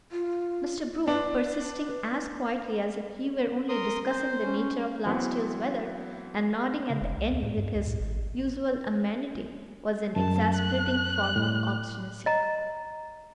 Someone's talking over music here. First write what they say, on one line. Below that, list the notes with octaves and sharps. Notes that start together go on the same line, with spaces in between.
Mr. Brooke, persisting as quietly as if he were only discussing the nature of last year's weather, and nodding at the end with his usual amenity, was an exasperating form of obstinacy.
F4
D4 B4
A#4 C6 D#6
C5
C#4
E3 F#3 B3 C4
C#3
F1
C2
D#2
A2
G2
C#2
A2
G#1
F#2 A5
F#6
A2
D#5 A#5